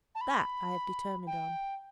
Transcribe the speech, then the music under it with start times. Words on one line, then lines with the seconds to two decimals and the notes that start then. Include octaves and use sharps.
That I have determined on.
0.15 A5
0.21 B5
1.27 G5